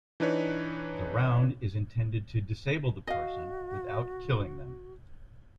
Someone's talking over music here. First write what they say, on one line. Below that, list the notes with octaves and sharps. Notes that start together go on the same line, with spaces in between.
The round is intended to disable the person without killing them.
E3 D4 D#4 B4 C#5
F#4 D#5 F5